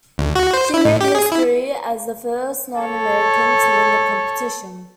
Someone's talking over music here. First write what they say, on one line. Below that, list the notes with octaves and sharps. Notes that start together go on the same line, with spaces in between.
She made history as the first non-American to win the competition.
D2
F#4
C5
E4
A2
G4
G#4
E4
A4 C#5